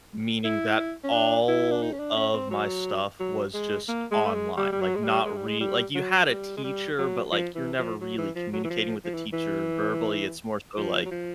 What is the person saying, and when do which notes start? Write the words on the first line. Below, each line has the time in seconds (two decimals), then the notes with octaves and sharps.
meaning that all of my stuff was just online. Like, not re like, you had a teacher, but, like, you're never really communicating with the teacher verbally, it's more so, like,
0.44 E4
1.03 C#4
1.13 D4
1.48 E4
1.71 D4
1.82 D#4
1.93 C#4
1.99 D4
2.16 C#4
2.34 C4
2.51 F#3
3.20 F#3
3.54 G#3
3.88 A#3
4.11 G#3
4.25 A3
4.34 G#3
4.57 G3
4.72 G3
4.81 F#3
4.95 G#3
5.03 G3
5.26 G#3
5.36 G3
5.46 G#3
5.60 G3
5.95 F#3
6.29 G3
6.57 G#3
6.64 G3
6.98 F#3
7.32 F3
7.55 E3
7.78 F3
8.01 F#3
8.18 E3
8.35 F3
8.53 F#3
8.64 E3
8.70 F3
9.04 F3
9.14 E3
9.33 E3
10.77 F3
11.05 F#3
11.11 F3